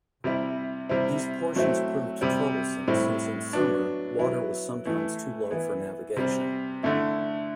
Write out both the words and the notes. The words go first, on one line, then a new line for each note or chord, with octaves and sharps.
These portions proved troublesome since in summer, water was sometimes too low for navigation.
C3 G3 C4 E4
C3 G3 C4 E4
F#3 A3 C4 E4
C3 G3 C4
A2 G3 C4 E4
F#3 B3 D4
F#3 B3 E4
E3 A3 E4
E3 B3 E4
C3 G3 C4
D3 A3 E4